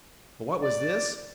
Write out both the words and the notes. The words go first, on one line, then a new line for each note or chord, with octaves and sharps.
But what was this?
D5